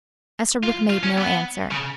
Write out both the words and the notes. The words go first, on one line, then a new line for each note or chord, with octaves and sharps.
Esterbrook made no answer.
F4
F4
C#4
B3
C#3